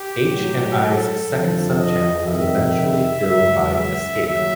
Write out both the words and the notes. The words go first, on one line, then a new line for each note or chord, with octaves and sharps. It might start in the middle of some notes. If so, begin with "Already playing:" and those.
H and I's second subchannel was eventually filled by Escape.
Already playing: G4
A2 F#3
A4
F2 D3 F3
D#5
F2 C3 D#3 E5
C#2 C#3 F#3 E5
E5
D#2 C#3 F#3 E5